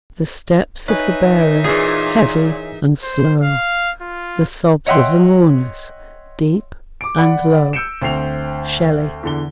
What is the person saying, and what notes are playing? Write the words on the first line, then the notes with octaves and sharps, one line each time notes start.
'The steps of the bearers, heavy and slow, The sobs of the mourners, deep and low.' SHELLEY.
D#4 B4 C#5 D#5 E5 G#5
A#2 E3 G#4
C5
F5
F4
C#5 D#5 E5 F#5 G5 C6
D6 D7
D5 F#5 B5
E6 G6 C#7 D7 E7
D2 C4 G5 C7 F7
E2 D3 G7